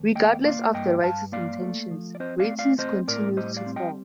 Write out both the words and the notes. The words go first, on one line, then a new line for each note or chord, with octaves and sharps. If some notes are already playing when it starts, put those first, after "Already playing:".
Regardless of the writers' intentions, ratings continued to fall.
Already playing: D#2
A#3 D#5 G5
A#3 D5 F5
G2 D#5 G5
G2 F5 A5
A#3 D5 F5
A3
F3
D5
C4 C5 D#5
D5 F5
A3
D5 F5
C4 C5 D#5
A2 A#4 D5
G3 C5 D#5
D5 F5
C4
D#5 G5